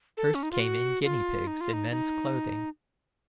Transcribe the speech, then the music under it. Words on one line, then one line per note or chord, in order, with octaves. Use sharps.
First came in guinea pigs in men's clothing.
A4
C#4
D#4
F4
F#4
F4
D#4
F4
D#4
D#4